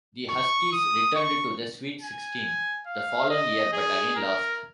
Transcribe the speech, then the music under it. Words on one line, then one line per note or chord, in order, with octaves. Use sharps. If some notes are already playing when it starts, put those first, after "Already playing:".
The Huskies returned to the Sweet Sixteen the following year, but again lost.
C#6
D#6
C#6
G#5
F5
D#5
G#4
A#4